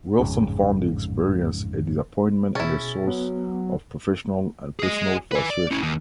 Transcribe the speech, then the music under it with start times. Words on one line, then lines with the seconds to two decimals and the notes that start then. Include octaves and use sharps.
Wilson found the experience a disappointment and a source of professional and personal frustration.
0.20 A1 F2 G#2 C#3
2.55 B2 C#4 E4 G#4 A6
3.07 F#3 B3
4.79 G#4 D#5
5.32 B4 G#5
5.50 D5
5.71 C#4 E4
5.83 D#2